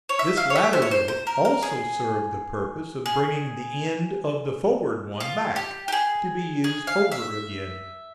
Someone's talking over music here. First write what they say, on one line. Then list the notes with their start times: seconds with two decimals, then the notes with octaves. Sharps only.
This latter rope also served the purpose of bringing the end of the forward one back, to be used over again.
0.09 C#5
0.19 E5
0.37 F5
0.50 C#5
0.56 E5
0.73 C5
0.82 C#5
0.91 C5
1.08 C5
1.27 A#4
1.45 A#4
1.63 G#4
3.06 G#4
5.20 F4
5.56 G4
5.88 G4
5.92 G#4
6.64 G#4
6.87 F5
7.12 E5